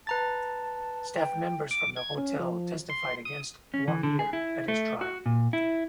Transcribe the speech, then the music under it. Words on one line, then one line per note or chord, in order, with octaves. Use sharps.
Staff members from the hotel testified against Warmbier at his trial.
B4 A5 A#5 A6
G5
D6
G#6
C#4
F3
C6
D#6
C#4
E3
D3
G#4
E4
A3
F#4
A#2
E4